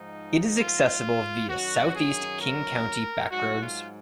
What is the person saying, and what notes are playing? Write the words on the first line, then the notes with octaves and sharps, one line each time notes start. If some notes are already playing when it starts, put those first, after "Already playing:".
It is accessible via Southeast King County backroads.
Already playing: G#2 F3 D#4
F4
F#2 D#3 F#3 F#4
G#4
A#4
G#2 F#3 F#4
F4